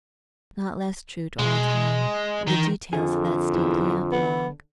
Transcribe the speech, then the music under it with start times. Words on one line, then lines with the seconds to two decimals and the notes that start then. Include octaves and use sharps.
Not less true to all time are the details of that stately apologue.
1.39 B2 G#3
2.48 D#3 E3
2.93 F2 D3 F4 G#4
3.53 E2
4.12 B3